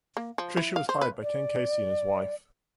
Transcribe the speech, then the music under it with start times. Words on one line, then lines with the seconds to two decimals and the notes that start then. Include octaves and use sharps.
Tricia was hired by Ken Casey and his wife.
0.17 A#3
0.38 F3
0.57 E4
0.76 F5
0.89 C5
1.01 B4
1.22 D5